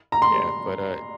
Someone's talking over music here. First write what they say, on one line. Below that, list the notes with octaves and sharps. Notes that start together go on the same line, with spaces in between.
yeah, but uh
A#5
C6